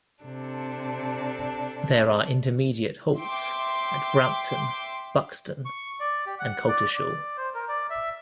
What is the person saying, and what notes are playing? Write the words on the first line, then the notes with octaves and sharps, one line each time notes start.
There are intermediate halts at Brampton, Buxton and Coltishall.
C3 D4 A4
E5 G5 C6 D6
C#6
D5
G4
F#5
D5
D5
C5
A#4
D5
E5